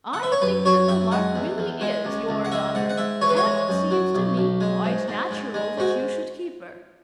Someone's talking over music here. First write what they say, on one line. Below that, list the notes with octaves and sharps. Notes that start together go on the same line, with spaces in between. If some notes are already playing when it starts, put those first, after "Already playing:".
I think that the Lark really is your daughter, and it seems to me quite natural that you should keep her.
F#5
E5
C#5
F#2 B4
F#3 C#5
F#2 E5
G#3 F#5
E2
E2
G#3
C#2
C#2
F#5
G#3 E5
G#2 F#5
F#5
G#2 E5
E3 C#5
B4
C#5
G#3
F#2
F#3
B1
B1
G#3
G#2
G#2
G#2
G#3
G#2 F#4